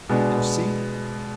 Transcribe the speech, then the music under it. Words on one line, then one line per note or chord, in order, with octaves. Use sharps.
Now see!
B2 G#3 B3 D4